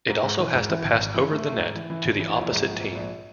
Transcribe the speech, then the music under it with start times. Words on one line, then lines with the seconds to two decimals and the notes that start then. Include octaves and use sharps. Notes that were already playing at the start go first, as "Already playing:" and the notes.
It also has to pass over the net to the opposite team.
0.09 G#2
0.24 G#2
0.39 E3
0.54 G#2
0.69 E3
0.85 G#1
1.00 G#1
1.15 E3
1.30 A3
1.45 A3
1.59 G#2
1.75 E3
1.90 E3
2.05 G#1
2.20 E3
2.36 A#1
2.50 G#2
2.65 A#1
2.80 G#2
2.95 A#1